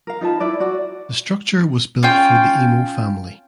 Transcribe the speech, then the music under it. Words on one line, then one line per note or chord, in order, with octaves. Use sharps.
The structure was built for the Emo family.
A#4 F5
D#4 F4 B4 A5
E4 B4 D5
F#4 D5
C#4 F4 G5